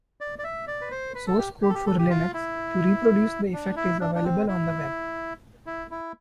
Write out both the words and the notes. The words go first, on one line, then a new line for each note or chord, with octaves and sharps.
Source code for Linux to reproduce the effect is available on the web.
D5
D5
E5
D5
B4
C5
B4
A4
G4
G4
A4
G4
A4
G4
F4
E4
D4
E4
D4
D4
C4
E4
E4
E4